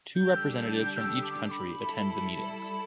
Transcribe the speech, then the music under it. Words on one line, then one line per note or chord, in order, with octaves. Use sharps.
Two representatives from each country attend the meetings.
D3 G3 D4 G4 G6
E6
G6
G6
E6
D6
B5
G3 E4 A4
B5